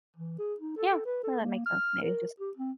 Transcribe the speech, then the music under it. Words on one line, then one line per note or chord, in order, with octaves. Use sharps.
Yeah. No, that makes sense maybe just
E3
G#4
D#4
A4
A4
B4
A4
A#3
F6
A#4
G4
C4